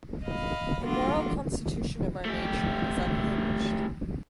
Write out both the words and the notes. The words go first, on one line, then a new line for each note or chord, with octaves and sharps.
The moral constitution of our nature is unhinged.
D#5 F5 B5
G3 A#3 D4 F4 F#4 A4
A3 G4